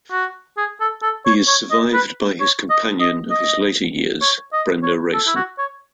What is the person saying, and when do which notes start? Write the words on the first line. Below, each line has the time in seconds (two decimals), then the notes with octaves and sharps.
He is survived by his companion of his later years, Brenda Rayson.
0.11 F#4
0.57 G#4
0.80 A4
1.03 A4
1.26 C#5
1.48 C#5
1.71 D#5
1.94 B4
2.40 C#5
2.70 D#5
3.00 D#5
3.31 D#5
4.22 C#5
4.53 D#5
4.83 C#5
5.14 A4
5.27 E4
5.36 F#4
5.59 C#5